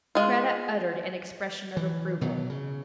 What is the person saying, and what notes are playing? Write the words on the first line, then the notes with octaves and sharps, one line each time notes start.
Kreta uttered an expression of approval.
G#3 F4
E3
B2 D#3 E3 F#3
C#3